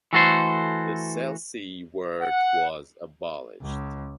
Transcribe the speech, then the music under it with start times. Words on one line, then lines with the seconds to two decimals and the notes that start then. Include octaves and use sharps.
The Selsey ward was abolished.
0.13 E3 A3 F#4 A4 C5
2.21 F#5
3.62 C#2